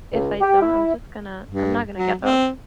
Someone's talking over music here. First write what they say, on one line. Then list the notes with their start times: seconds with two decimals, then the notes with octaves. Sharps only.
if I don't, I'm just gonna I'm not gonna get up.
0.12 C#2
0.40 G4
0.60 E4
1.50 G2
1.96 F#3
2.22 C4